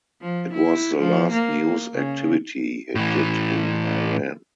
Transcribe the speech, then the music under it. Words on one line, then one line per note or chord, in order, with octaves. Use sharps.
It was the last news activity he did in Iran.
F3
E4
F3
A#3
C#3
A2 E3